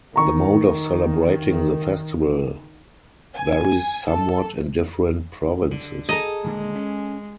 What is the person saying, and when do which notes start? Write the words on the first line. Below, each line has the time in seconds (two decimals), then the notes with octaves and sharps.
The mode of celebrating the festival varies somewhat in different provinces.
0.16 D#3 A#5 C#6
3.35 G#5
4.07 A4
5.71 D3
6.09 G#4 A4 D#5 A#5
6.44 D#1 D3 G#3 A#3
6.75 C#4